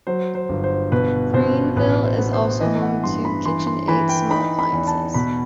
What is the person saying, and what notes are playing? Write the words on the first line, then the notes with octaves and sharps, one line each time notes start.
Greenville is also home to KitchenAid small appliances.
F#3 C5
C5
G1
C5
B2 B4
B2 C5
A1 B4
C5
B3
C5
E3 D#5
F#5
G2 C6
B5
E3 C6
C6
E3 B5
G5
D#4 B5
B5
E2
A5
B2 B5